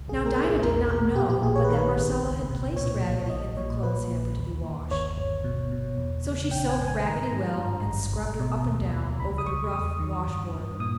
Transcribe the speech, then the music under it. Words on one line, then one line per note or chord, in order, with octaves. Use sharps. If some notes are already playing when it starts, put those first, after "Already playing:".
Now Dinah did not know but that Marcella had placed Raggedy in the clothes hamper to be washed, so she soaped Raggedy well and scrubbed her up and down over the rough wash-board.
Already playing: C#2
A#1 G#4
A#4
A#1
G#4
E2 A#4
B2 A#4
A#2 G4
G4
A#1 G#4
C#5
B4
D#3 A#4
B4
G#1
C#2
B2
A#2 C#5
B1
A#1 D#5
A#2 C#5
A#2 B4
A#1
D#2
D#2
G1 C#5
G1
B2
B2
E2
C#3
A#1 G5
G#5
G#2
G#5
D#3 A#5
G#2
G2
G#1
B1
B2
D#2
D#2
C#2 B5
D#6
C#2 C#6
C#6
E2 D#6
D#3
G2
G2
A#2 D#6